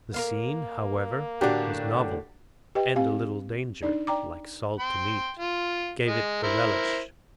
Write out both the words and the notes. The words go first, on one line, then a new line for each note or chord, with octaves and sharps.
The scene, however, was novel, and a little danger, like salt to meat, gave it a relish.
A#3 A#4 C5 F5
A2 D3 D4 F#4 G4
G4 B4 D#5 G5
C4 G4 F5
D4 D#4 D5
D5 G5 A#5 D6
G5 C6
F4
G#3 D#5
E4 A#4 C5